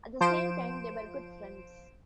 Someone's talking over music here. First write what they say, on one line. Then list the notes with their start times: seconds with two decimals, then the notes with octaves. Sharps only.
At the same time, they were good friends.
0.21 F3 C5 D7 E7